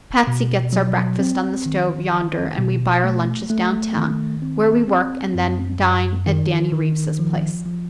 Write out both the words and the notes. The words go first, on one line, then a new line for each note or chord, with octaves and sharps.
Patsy gets our breakfast on the stove yonder, and we buy our lunches down town, where we work, and then dine at Danny Reeves's place.
B2
F#3
C4
D#3
D#3
B2
A3
A3
D#3
C4
C4
F#2
F#2
D#3
D#3
F3
F3